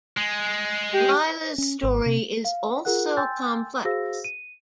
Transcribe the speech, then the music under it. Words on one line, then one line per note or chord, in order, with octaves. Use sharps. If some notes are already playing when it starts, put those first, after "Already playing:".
Leila's story is also complex.
G#3
G4
C#4
G#1
C3
F5
F4 G#4 A#4 F#5 F#6
G5 G#5 C6 E6 G6 A6
F#4 G#4 C5 F5 E6 A#6
D#7